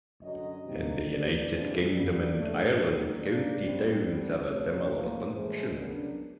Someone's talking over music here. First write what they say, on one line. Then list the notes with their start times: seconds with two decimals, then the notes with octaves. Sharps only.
In the United Kingdom and Ireland, county towns have a similar function.
0.23 F#2 D3 F#3 D#5
0.66 C3 D#3 G3 A#3 D4
1.08 G2 D3 F#3 B3 D5
1.51 C3 F3 G#3 B3 D4
1.93 G2 D3 G3 A#3 D5
2.36 F#2 C#3 F3 A3 D4
2.78 F#2 D#3 G3 C#5
3.21 G#2 F3 A#3 D4 D5
3.63 A#2 G3 C4
4.05 D3 G3 C4 D5
4.48 C3 F3 A3 C#5
4.91 A2 F3 A#3
5.33 A2 E3 G#3 C5
5.75 C#3 F#3 B3 D4 A#4